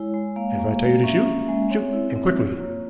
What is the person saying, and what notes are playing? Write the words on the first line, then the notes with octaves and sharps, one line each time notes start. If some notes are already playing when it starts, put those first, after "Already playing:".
If I tell you to shoot--shoot, and quickly.
Already playing: G#3 E4 C#5
G#3
A#3 F5
A#3
A#3
C#4 E5
C#4
G#3
C4 C#5
E4
C4
F4 C#5
A#3